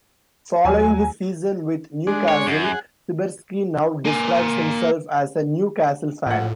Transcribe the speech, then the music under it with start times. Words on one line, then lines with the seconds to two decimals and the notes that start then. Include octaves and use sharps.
Following his season with Newcastle, Sibierski now describes himself as a Newcastle fan.
0.65 D#2 F#3 G#5
2.07 G#3 D4
2.28 C#5
2.48 F#2
2.64 G#4 F#5
4.05 A#3 G#5
6.26 A#1 A2 F#5